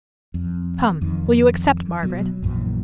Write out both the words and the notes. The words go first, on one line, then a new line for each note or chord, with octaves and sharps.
"Come, will you accept, Margaret?"
F2
F2 D#3
B2 F#3
A#1 F#2 A#2 E3